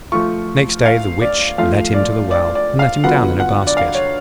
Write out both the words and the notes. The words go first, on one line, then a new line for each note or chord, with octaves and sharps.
Next day the Witch led him to the well, and let him down in a basket.
F3 A3 F4 C#6
F5
D5
F3 A3 F4 F5
D5
D5
D5
F5
D3 F#3 B3 F4 F#5
F#5
D5
F5
C#5